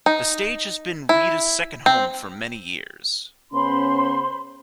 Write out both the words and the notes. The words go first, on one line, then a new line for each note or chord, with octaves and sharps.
The stage has been Rita's second home for many years.
D#4
E4
C4
C#3 B3 C#4 C5 B5 C6